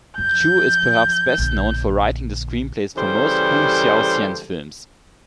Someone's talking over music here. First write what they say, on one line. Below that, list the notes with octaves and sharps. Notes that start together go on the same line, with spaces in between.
Chu is perhaps best known for writing the screenplays for most Hou Hsiao-hsien films.
F#2 F3 G6
A#1 D3
C#3 E3 G3 G4 A4 C5